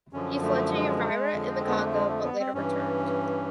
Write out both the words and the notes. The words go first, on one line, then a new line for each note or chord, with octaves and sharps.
He fled to Uvira in the Congo but later returned.
F#2 D3 F3 C#4
A3
G#3
F2 D3 F3
C4
B3
A#3
A3
G#3
A3
B3
C4
G2 E3 C#4